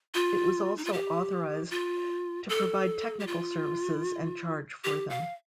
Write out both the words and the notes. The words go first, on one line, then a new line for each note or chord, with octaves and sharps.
It was also authorized to provide technical services and charge for them.
F4
D#4
F4
G4
F4
A4
G4
F4
G4
F5